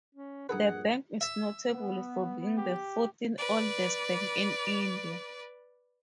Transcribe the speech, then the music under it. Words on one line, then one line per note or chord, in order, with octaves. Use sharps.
The bank is notable for being the fourteenth oldest bank in India.
C#4
A#1 G2 D#4 G#4 A4 B4 F#5
E5
B3
G4
B4 D5